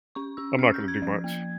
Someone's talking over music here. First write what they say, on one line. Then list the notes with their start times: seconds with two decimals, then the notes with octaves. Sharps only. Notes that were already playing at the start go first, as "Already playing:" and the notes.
I'm not gonna do much.
0.15 C#4 C#6
0.37 C#4 E6
0.59 C#4 F6
0.74 G6
0.80 C#4
0.88 G#6
1.02 F3 G#6
1.24 A#3